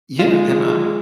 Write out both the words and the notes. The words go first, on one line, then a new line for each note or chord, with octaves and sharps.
Yeah, and, uh
G#3 F4